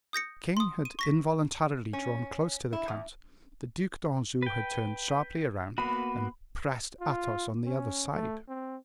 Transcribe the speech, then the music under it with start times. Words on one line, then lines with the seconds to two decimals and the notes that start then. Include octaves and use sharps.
The king had involuntarily drawn close to the count, the Duc d'Anjou had turned sharply round, and pressed Athos on the other side.
0.13 D#6 G6 A#6 C#7
0.57 C6 D#6
0.85 D#7
0.99 C#6 A#6 B6
1.93 C#4
2.73 E4
2.88 E2
4.42 B4 G5
5.78 A#3 B3 F#4 B5
7.00 F4
7.65 C#4
8.14 A3
8.48 C4